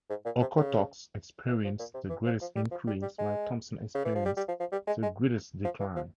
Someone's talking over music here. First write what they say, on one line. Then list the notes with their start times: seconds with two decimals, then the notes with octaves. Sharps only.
Okotoks experienced the greatest increase while Thompson experienced the greatest decline.
0.10 G#2
0.25 A#2
0.41 C3
0.56 C#3
1.48 E3
1.64 F3
1.79 A#2
1.94 C3
2.10 E3
2.25 F3
2.41 F3
2.56 G3
2.71 F3
2.87 G3
3.02 G3
3.18 G#3
3.95 C#3
4.05 E3
4.15 F3
4.26 G3
4.37 G3
4.48 F3
4.60 F3
4.72 G3
4.87 G#3
5.02 G#3
5.64 F3
5.80 E3
5.96 F3